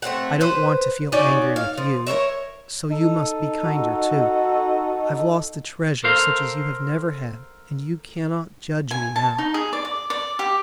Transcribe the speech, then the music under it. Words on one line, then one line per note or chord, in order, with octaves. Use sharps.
I don't want to feel angry with you, so you must be kinder, too, I've lost a treasure such as you have never had, and you cannot judge me now.
A3 C4 F5 F#5
B4 C5
C#4 D#4 F#4 D5
F5
F3
A#4 C5 C#5 E5
D#4 A4
F#4
A4 A#4 C5 F5
G#5
A5
D#4
G#4
D5
D5
D5
G4